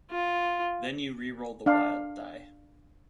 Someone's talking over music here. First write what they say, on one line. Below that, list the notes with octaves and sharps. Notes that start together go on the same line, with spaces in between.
Then you re-roll the wild die.
F4
D4 F5